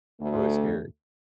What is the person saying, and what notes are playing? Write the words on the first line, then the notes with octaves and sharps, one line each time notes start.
Really scary.
D2 A3